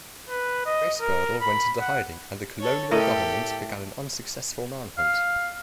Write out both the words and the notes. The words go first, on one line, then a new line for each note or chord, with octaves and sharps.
Bracegirdle went into hiding and the Colonial Government began an unsuccessful man-hunt.
B4
D#5
A#4
B5
F#5
A4 C#5
A2 G4 A4 A#4 D#5
F5